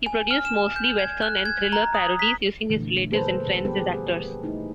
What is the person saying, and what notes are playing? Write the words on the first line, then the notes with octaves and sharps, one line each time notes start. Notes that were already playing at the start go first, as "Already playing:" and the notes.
He produced mostly western and thriller parodies, using his relatives and friends as actors.
G#5
F6
E7
G6
G#6
F#6
G#6
A#5
D#6
B6
A#2 D3 E3 A3
A#3 B3 G#4 A4 B4 C5
F3 G3 B3 G4 A4 B4
G#4
G#4
A3 D#4 E4